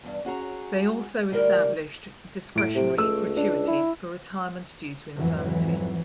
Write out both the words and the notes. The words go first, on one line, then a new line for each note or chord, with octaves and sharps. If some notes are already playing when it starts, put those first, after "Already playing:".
They also established discretionary gratuities for retirement due to infirmity.
E2 G2
C#4 F#4 G#4 A#5
D2 G3 E4 A#4
A2 D7
C3
C#2 A3 E6
D4
E4
F2 G#2 E3 F#3